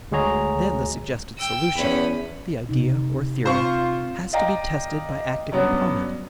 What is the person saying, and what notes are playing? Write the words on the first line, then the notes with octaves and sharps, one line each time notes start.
Then the suggested solution--the idea or theory--has to be tested by acting upon it.
D2 G#3 F#4 G#4 C#5 A#5
G5 E6
E2 C#4 B5
C3 D#4
C4 F4 C5 F5 C#6
D5 D#5 F5 G5 A#5
G2 F#3 B3 C#4 D4